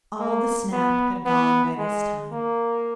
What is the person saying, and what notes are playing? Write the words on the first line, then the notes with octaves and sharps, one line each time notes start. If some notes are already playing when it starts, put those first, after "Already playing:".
All the snap had gone by this time.
A#3
B3
B3
G#3
A#3